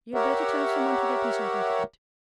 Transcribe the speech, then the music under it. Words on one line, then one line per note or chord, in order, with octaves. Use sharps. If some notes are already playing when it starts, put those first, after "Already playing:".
You had better tell some one to get me something to eat.
G4 A#4 C#5 E5 F#5